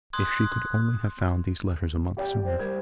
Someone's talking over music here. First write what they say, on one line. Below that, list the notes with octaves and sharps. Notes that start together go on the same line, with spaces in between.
If she could only have found these letters a month sooner!
C6 D#6 F#6 G#6
G4 D5 G5
C5
G3 A#4 G#6